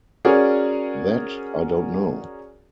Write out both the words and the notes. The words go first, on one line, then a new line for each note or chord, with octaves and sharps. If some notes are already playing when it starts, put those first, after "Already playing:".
That I don’t know.
C#4 F#4 G#4 A#4 C#5 D5